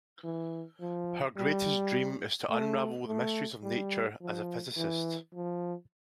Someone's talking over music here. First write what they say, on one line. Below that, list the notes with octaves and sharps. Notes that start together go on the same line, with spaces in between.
Her greatest dream is to unravel the mysteries of nature as a physicist.
E3
F3
G3
A3
A3
G3
F3
E3
F3